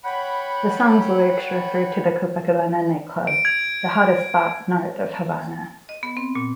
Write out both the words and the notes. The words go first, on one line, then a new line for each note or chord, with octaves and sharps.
The song's lyrics refer to the Copacabana nightclub, "the hottest spot north of Havana".
C#5 F#5 G5 B5
D7
G#6
D#5
B3
C4
A#2